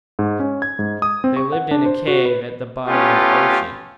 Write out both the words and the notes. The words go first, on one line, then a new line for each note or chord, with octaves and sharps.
They lived in a cave at the bottom of the ocean.
G#2
C#4
G#6
G#2
D#6
C4
C#6
F#5
D4
C5
F#4
B4
A3 B3 C#4 F4 G4